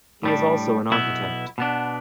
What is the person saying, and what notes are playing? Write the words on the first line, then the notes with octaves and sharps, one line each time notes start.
He is also an architect.
A2 G3 D4
B1 B2 B3 E4
B2 B3 D4